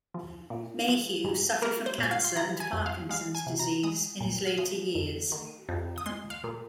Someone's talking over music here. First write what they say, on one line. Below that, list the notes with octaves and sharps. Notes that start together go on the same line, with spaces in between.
Mayhew suffered from cancer and Parkinson's disease in his later years.
F3
A#2
F3
G#2
A#3 A#4
C5
A#2 G#5
F5
C6
F3 A#5
G#5
F2
F5
G#3 F5
G#5
C3
A#5
G#3 D#6
A#2
F6
F3 D#6
F2
D#3
F2
D#6
G#3 C6
F5
A#2